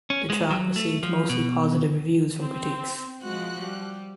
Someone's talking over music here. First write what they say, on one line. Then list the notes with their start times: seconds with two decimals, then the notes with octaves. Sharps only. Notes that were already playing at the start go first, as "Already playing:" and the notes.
The track received mostly positive reviews from critics.
0.10 C#4
0.30 G#3
0.51 F#3
0.76 A3
1.03 F3
1.29 B2
2.39 C4
3.22 F3 G#3 F#4 F#6
3.60 G3